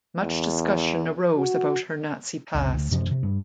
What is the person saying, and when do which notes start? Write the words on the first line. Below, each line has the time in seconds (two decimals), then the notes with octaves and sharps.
Much discussion arose about her Nazi past.
0.22 E2
1.37 F#4
2.54 F#1 C#2
2.74 D2
2.91 F#2 C3 D#3 F3
3.11 C3
3.23 G2